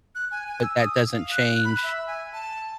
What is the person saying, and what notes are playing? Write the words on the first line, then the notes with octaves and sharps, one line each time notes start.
but that doesn't change,
F#6
G#5
G#5
E6
D#6
F5
F#6
B5
E5
G#5
A5